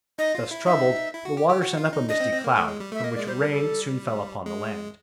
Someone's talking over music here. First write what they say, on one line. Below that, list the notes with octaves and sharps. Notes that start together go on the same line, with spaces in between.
Thus troubled, the water sent up a misty cloud, from which rain soon fell upon the land.
D#4 D#5
F4
E4
D#4 E5
E4
F#4
G4
G4
F#4
F4
D#4
D4 D#5
C4
C4
A#3
A3
G#3
G3
A3 E5
A#3 D#5
D5
G#3
G3 C5
A#4
A4
G#3